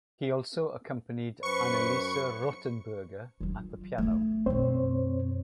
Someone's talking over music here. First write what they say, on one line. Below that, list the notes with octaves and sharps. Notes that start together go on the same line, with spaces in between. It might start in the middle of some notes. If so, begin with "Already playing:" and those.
He also accompanied Anneliese Rothenberger at the piano.
F#2 B4 C5 C#6 C#7
F#3 F4
A3 B3
F#2 B2 C4 C5 C#5